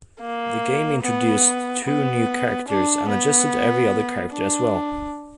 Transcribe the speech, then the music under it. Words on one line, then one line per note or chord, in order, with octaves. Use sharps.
The game introduced two new characters and adjusted every other character as well.
A#3
B3
B3
D4
B3
D4